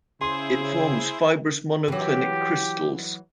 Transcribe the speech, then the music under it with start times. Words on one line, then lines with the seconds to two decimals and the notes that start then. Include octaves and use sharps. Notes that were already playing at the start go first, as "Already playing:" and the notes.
It forms fibrous monoclinic crystals.
0.21 C#3 E4 G#4 C5 C6
1.88 E3 F#3 G4